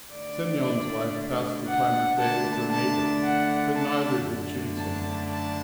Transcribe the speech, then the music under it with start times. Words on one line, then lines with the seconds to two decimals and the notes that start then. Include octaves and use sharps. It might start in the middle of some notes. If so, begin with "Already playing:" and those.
Semyon's wife passed the time of day with her neighbour, but neither did she say much.
0.12 D3 A3 D4 D5
1.67 F#5
2.20 D3 A3 D4 A5
2.71 A5
3.23 F#5
3.74 A5
4.26 F#2 D3 A3 D4
4.79 A5
5.30 A5